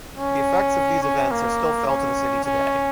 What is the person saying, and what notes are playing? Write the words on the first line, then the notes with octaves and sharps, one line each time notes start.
The effects of these events are still felt in the city today.
C#4
C#4
A#3
C#4
C#4